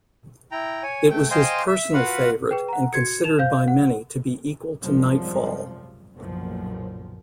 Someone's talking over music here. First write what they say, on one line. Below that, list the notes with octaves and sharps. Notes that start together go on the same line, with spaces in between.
It was his personal favorite and considered by many to be equal to "Nightfall".
E4 G5 A#5
C#5 G#5
A3 G5
C5 D#5 F5 G5 G#5 C6
E5
F4 F#4 B4 F5 F#5 B5
G#4 B4 G5
F#5 A#5
F#4 G#6 C#7
D#4 E7 F7
C5 F5 G6
F#5
G#1 F#2 C3 F3 G3
F#1 B1 F#2 A#2 F3